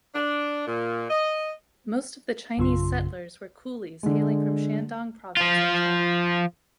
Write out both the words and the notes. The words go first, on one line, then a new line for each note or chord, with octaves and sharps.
Most of the Chinese settlers were coolies hailing from Shandong province in China.
D4
A#2
D#5
A#1 F#2 C#3 F4 C6
D3 G#3
F3 F4